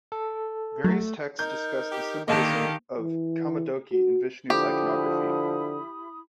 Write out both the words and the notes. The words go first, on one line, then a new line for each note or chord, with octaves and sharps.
Various texts discuss the symbolism of Kaumodaki in Vishnu's iconography.
A4
F#3 A3
D#4 A#4 G6
G4
D3 D#3 A#3 G4 D#5 F5 A5
E3
F#4
D3 F3 E4 G4 B5 D#6